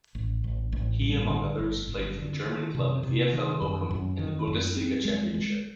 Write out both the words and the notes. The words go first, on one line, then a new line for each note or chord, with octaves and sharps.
He among others played for the German club VfL Bochum in the Bundesliga championship.
A1
A1
A1
G2
D3
G1
G1
D3
D#3
C3
C3
D#3
F#2
F#2
D#3
F#2
C4
G#3
G#3